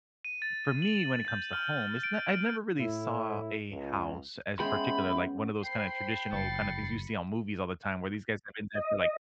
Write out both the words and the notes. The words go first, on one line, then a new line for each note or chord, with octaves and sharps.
for me, when it comes to home, it's not I've never really saw a house as particular, like one of those kind of traditional kind of things you see on movies all the time where these guys have been there like
D#7
A6
F#7
G6
F6
D7
A2 E4
C#2
G#3 B3 C#4 E5 G5 B5 C6
C5 G5 B5 C7
F#1 B5 A6 C7 C#7
D#5